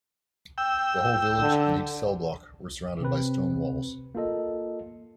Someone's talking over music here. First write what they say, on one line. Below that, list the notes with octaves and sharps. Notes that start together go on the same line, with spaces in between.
The whole village and each cell block were surrounded by stone walls.
G5 E6
D3
C3 C4 B4
A#3 F4 A4 D#5